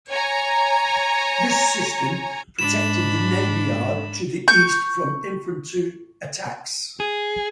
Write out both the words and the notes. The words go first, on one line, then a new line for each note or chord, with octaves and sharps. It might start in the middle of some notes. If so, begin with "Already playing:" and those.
This system protected the Navy Yard to the east from infantry attacks.
C#5 G#5 A#5
G#2 D4 B5 E7
C#6 G6
G#4